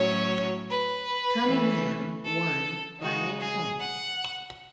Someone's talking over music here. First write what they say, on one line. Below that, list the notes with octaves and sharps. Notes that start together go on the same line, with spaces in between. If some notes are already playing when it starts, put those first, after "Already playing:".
Cunningham won by a point.
Already playing: A2 F#3 C#4 C#5
B4
E3 A3 C#4
A4
C#3 G#3 D#4 F#4
G#4
F#5